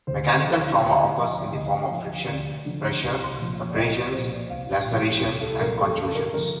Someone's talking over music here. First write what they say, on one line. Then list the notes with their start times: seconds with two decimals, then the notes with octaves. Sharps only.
Mechanical trauma occurs in the form of friction, pressure, abrasions, lacerations and contusions.
0.07 D2 C5
0.44 D3 F3 F5
0.80 D2 G5
0.99 F5
1.17 D3 F3 D#5
1.35 D5
1.54 D2 D#5
1.91 D3 F3 D#5
2.29 D2 D5
2.65 D3 F3
3.02 C2
3.38 A#2 F3
3.68 D5
3.75 C2 D#5
3.94 D5
4.12 A#2 F3 C5
4.31 D5
4.50 C2 F5
4.86 A#2 F3 D5
5.23 C2 G4
5.41 A4
5.60 A#2 F3 A#4
5.78 A4
5.97 G1 A4
6.15 A#4
6.33 G2 D3 F3 A#4